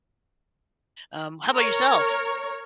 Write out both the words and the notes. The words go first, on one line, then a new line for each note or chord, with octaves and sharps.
um, how about yourself?
A#4 C#5